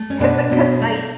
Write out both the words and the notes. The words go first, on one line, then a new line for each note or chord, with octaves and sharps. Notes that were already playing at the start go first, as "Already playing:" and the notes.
'Cause I 'cause I,
Already playing: A3
C#4
B2 B3 D4
B2
A3